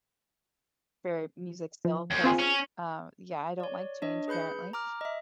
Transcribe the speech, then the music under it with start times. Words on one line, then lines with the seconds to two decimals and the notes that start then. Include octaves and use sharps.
for music still 'cause, uh, yeah, I don't like change apparently,
1.85 F3
2.11 D#2
2.24 C4 F4 G#4
2.39 C#4
3.60 C#5 D5
4.02 D4 C#5 D#5
4.28 G#4 B4 B5 G6 C#7
4.73 A#5 D6 F6
5.01 D#5 E5